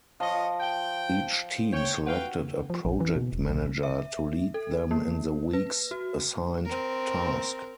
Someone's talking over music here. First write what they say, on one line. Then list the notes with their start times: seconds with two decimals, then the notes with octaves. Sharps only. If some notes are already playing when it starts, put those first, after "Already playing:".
Each team selected a "project manager" to lead them in the week's assigned task.
0.20 F3 F4 C#5 D#5
0.60 G5
1.72 C#5 G5
2.06 F#4 B4 F5 G5
2.70 F3
2.85 A#1
3.00 E3
3.16 B2
3.33 E1
3.50 B1
3.83 E5
4.54 A4
4.91 A#3
5.53 B4
5.91 F#4
6.66 C4 A#4